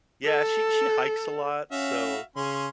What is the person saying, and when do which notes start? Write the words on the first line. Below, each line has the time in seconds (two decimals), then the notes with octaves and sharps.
Yeah, she she hikes a lot, so
0.25 A4
1.72 C#4 F#4 E5 F5
2.36 C#3 C#4 G#4 C6